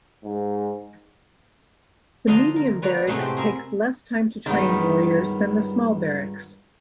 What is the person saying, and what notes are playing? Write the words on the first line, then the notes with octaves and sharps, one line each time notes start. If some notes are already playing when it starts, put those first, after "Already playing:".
The medium barracks takes less time to train warriors than the small barracks.
G#2
D3 F3 D#5 F5 A#5 C6
A#4
B4 C#5 D5 F#5 A#5 B5
A2 C3 G#3 A3 D#4 F#5
C4 G4
G#4 A#4 E5 B5
C#2 G2 D#3 B3